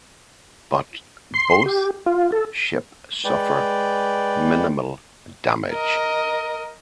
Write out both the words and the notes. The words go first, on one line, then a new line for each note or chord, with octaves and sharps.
But both ship suffer minimal damage.
C6
G4
F4
A4
G#3 B4 D5 G5
A#4 D#5